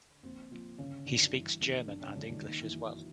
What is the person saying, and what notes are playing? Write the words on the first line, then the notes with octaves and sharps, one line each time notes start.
He speaks German and English as well.
A#1 C4
A#2 F3 C4
G1 C#3 C#4
F#2 D3 D#3 D4
G2 E3 E4
D#3 E3 G3 A#3 D#4
G1 D3 D4
C#3 C#4
G2 D3 F3 G#3 D4
D#3 D#4
A#1 D#3 D#4
E3 E4
A#2 F#3